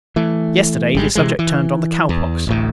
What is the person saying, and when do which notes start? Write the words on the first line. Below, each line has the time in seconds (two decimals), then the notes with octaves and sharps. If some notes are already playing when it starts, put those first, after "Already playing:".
Yesterday, the subject turned on the cow-pox.
0.16 E3 A3
0.95 G#1 G3 G#3
1.15 C3 E3 G#3
1.39 E3
2.09 E2
2.47 D1 A1 A2